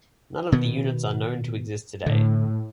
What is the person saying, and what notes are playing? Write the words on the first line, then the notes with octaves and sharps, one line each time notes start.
None of the units are known to exist today.
B2 D#3 B3
A2 D3